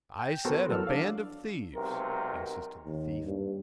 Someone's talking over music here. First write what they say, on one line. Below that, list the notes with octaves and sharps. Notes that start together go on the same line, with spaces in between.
"I said a band of thieves," insisted the thief.
G5
B3 F#4 A4 A#4 C5
E3 F#3 A4 E6 F6
D4 D5 F5
B1 C3 G#3 A#4
D#2
G2